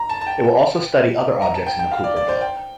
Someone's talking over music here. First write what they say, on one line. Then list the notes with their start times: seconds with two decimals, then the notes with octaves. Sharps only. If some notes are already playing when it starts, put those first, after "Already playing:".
It will also study other objects in the Kuiper belt.
Already playing: A#5
0.09 A5
0.21 A5
0.27 G5
1.42 A#5
1.54 A5
1.66 G5
1.79 G5
1.92 F5
2.04 D5
2.16 D5
2.29 C5
2.41 G5